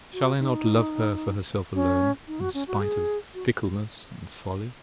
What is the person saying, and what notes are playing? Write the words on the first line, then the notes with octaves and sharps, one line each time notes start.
Shall I not love her for herself alone, in spite of fickleness and folly?
F#4
D#4
C#4
D#4
F#4
C#4
F#4
G#4
F#4